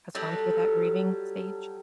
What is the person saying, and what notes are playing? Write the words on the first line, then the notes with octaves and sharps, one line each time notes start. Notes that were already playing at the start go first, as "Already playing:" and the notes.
has gone through that grieving stage?
F#3 G3 A4